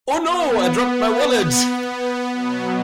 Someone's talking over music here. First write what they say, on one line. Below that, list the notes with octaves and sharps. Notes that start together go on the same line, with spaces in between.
Oh No! I dropped my wallet!.
B3
B2 F#3 B3